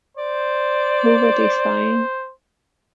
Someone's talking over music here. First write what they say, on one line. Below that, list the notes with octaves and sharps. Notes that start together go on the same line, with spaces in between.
Who were they spying?
C5 D5